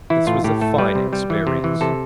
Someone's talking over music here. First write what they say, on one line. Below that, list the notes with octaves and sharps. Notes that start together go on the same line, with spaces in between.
This was a fine experience.
E3 E4
A2 F4
A2 G4
A3 A4
G3 B4
C3
G3
E3
C3
E3
C3 A4